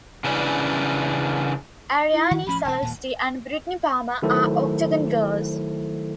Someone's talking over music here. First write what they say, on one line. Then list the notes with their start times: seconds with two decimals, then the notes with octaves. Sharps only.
Arianny Celeste and Brittney Palmer are Octagon girls.
0.24 C#3 E3 C#4 D4
2.12 E4
2.31 D#3
2.47 A1 F3 C#4 B5
2.65 E1 C4 A5
2.82 D#1 A#2
4.22 D#3 F#3 A3 E4 A4 C5